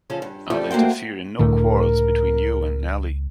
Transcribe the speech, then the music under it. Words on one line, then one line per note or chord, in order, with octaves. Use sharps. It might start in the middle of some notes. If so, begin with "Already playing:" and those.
I’ll interfere in no quarrels between you and Nelly.
C#3 F3 C#4 A4
G2
C#3 F3 G3 A3
A3 A#3 F#4 C5 G5
C#2 A2 D3 A3 A#4